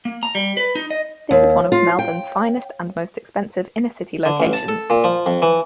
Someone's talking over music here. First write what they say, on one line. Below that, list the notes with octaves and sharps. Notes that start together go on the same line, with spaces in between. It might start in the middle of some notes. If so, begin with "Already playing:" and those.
This is one of Melbourne's finest and most expensive inner-city locations.
A#3
A#5
G3
B4
D#4
D#5
D#2
F4
G5
D3
A1
A5
A4
A#2
F3
F2
E3